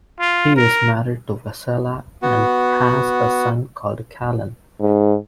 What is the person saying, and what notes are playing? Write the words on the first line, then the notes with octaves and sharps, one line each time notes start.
He is married to Vessela and has a son called Kalin.
F4
A#4
B3 F#4
G#2